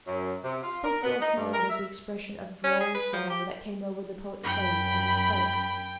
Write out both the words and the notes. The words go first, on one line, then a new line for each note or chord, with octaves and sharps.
Both girls smiled at the expression of droll sorrow that came over the poet's face as he spoke.
F#2
C3
F4
A#4
B3
D#4
G2
A#4
E5
C#4
G#4
B4
F3
G4
F#2 G5 B5